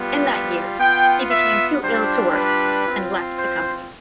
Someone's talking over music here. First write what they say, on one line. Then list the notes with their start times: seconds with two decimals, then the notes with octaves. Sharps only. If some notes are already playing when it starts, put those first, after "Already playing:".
In that year he became too ill to work and left the company.
Already playing: G3 B3 F4
0.79 B3 F4 G5
1.31 E5
1.83 G3 D4 F4 C5
2.35 B4
2.86 C4 F4
3.38 C5